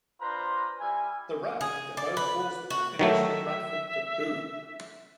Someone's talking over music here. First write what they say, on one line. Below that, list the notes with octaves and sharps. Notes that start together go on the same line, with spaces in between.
The Railroad Depot caused the population of Radford to boom.
D4 F4 B4 C5 A#5
G3 E4 G#5
G#4
D5
B4
F#4
D#3 F#3 A3 E5